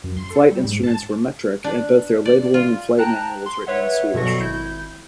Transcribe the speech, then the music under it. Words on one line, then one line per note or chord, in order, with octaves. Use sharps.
Flight instruments were metric, and both their labeling and flight manuals written in Swedish.
F#2
C6
A4
G3
G#2
A5
D4
D5
F4
G5 A5 A#5 F#6
C6
B4 C#5 E5 F#5
G2 B2 F#3 A4 C#6 A#6
G#1 E4 G6